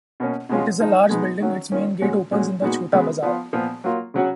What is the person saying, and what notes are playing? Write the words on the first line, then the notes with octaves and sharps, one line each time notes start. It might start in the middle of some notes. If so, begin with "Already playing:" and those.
It is a large building, its main gate opens in the Chota Bazaar.
B2 A#3 C#4
B2 G#3 C#4 F4
F3 G#3 D#4
B2 G#3 B3 D#4
D#3 F#3 C#4
D#3 A#3 C#4 F4
A#2 G#3 C#4 F#4
A#2 G#3 C#4 F#4
A#2 G#3 B3 D#4 F#4
C#3 G#3 B3 F#4
F3 B3 F4
A#2 F3 B3
F#3 A#3 F4
C#3 F#3 C#4 F#4